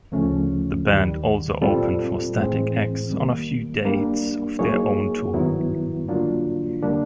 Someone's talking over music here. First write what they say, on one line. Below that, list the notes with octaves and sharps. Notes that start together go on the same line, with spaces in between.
The band also opened for Static-X on a few dates of their own tour.
D2 C#3 F3 A3 C#4
D#2 D#3 G3
A#2 G3 C4 F4 A4
A2 E3 G#3 C4
D#3 G3 A#3
G3 A#3 D4
F#3 A#3 D#4 G#4 C#5
G2 D#3 F#3 B3 E4
D3 F#3 A#3 D4 F4
D3 G3 A#3 D4